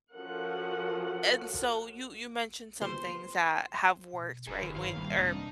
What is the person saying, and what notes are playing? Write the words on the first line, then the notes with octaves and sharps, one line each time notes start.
and so you, you mentioned some things that have worked, right, when or
F3 C#4 F#4 A4 A#4 F#5
C5
B2
F#1 F#2 G#4 B4
D#3
G2 E4 C5 C#5 F5
G1 G3 A#3
F2 C3 D4 D#4